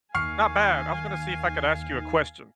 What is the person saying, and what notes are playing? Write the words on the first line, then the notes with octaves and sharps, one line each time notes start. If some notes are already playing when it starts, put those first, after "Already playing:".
Not bad. I was gonna see if I could ask you a question.
D#2 D#3 F5 G#5 C#6 F6 C7